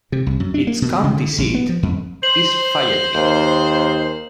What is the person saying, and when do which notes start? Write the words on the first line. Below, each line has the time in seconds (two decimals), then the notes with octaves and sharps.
Its county seat is Fayetteville.
0.12 C3
0.27 C2
0.40 F#2
0.54 D4
0.67 A#3
0.82 B2
1.04 C#3
1.17 D3
1.38 A#1
1.55 B3
1.69 F3
1.83 F2
2.23 C5 F#7
3.15 D#2